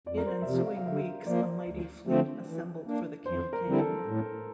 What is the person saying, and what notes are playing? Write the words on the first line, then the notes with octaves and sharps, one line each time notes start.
In ensuing weeks a mighty fleet assembled for the campaign.
F2 D5
A#4
C5
E5
C3 F3 D5
F5
F5
D3 E5
F3 A#3 D5
C5
D5
D2
D3 F3 A3 C4
E3
A#3 D4
F2 C5
A#4
D3 G3 C4 E4
A4
A2